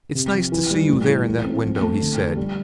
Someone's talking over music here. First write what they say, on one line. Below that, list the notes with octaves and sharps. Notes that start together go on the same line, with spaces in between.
"It's nice to see you there in that window," he said.
C3
F3
E3
G3
A2
E3
A3
C4
F3
A3
D3
F3
G3